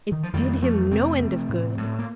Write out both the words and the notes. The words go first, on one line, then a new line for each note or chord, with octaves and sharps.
It did him no end of good.
D#3
F3
F2 D#3 G3
F2 F3 A3
C3 A3 C4
C3
A2
A2
A#3